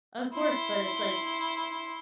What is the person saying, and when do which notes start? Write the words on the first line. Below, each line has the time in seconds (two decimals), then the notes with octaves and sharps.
Of course, but it's like,
0.34 E4 C6